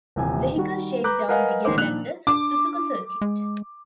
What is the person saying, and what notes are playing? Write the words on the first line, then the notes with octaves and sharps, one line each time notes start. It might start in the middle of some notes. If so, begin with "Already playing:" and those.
Vehicle shakedown began at the Suzuka Circuit.
D#1 C3 E3 G#5
D#3 G3 F#4
B4 A#5 D6 F#6 G6
A#4 B4 D#5 F5 F#5 G#5
A1 D#3 A#3 C5 D6
A#2 D#3 F3 D4 F#6 F7
D4 D6
G#3